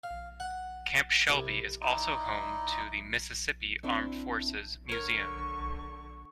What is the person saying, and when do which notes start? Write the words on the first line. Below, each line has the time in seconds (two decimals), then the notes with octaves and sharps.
Camp Shelby is also home to the Mississippi Armed Forces Museum.
0.04 F5
0.40 F#5
1.30 C2
1.82 D#4 E4 D5 D#5
3.83 C4 D4 E4
4.89 D3 A#4 C#5 C#6